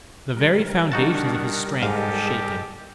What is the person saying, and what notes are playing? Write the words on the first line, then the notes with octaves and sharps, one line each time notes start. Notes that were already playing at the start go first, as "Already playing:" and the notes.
The very foundations of his strength were shaken.
G3 A#4
D#3 D4 D#4 F#4 F#5 A5
G#2 G#3 G4 A4 F5